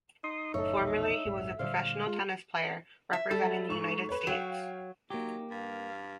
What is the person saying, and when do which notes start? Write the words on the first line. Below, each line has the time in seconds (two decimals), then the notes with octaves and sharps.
Formerly he was a professional tennis player representing the United States.
0.24 D#4 C6 D#6
0.54 F#1 F#2 A2 A4 C#5 E5
0.78 A#1 E2 B2
1.25 A#1 F2 G#2 G3
1.59 A#2 D3 G3 C5 D5 F5
2.07 G#3 F4
3.13 E5
3.31 G3 A4
3.69 G#2 C#6
4.09 B4 C#5
4.27 F#3 F5 G5
5.10 F#3 A#3 D#4 G4
5.51 G2 F5